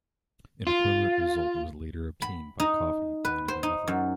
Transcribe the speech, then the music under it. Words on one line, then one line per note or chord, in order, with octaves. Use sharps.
An equivalent result was later obtained by Coffey by another method.
F4
B5
D#4
B4
C5
D#4
F#2